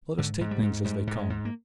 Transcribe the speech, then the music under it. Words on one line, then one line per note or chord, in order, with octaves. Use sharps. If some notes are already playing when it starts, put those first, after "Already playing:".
Let us take things as they come.
G#2 D3
G#2
G3
G#2
G#2 G3
G#2
G#3
G#2
A#3